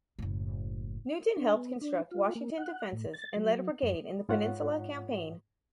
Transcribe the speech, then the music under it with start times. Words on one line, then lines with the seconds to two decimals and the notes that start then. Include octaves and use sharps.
Newton helped construct Washington defenses and led a brigade in the Peninsula Campaign.
0.19 F#1 A2
1.37 D4
1.56 B3
1.81 D4
2.11 F4
2.35 A#3
2.58 F#5
2.93 A2
3.14 A6
3.36 F#3
3.83 F#2
4.29 G#2 F4 C#5 F#5